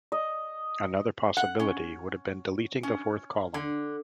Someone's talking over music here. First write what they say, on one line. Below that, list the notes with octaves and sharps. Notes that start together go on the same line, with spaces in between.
Another possibility would have been deleting the fourth column.
D#5
F#5
C#4
C#4
D3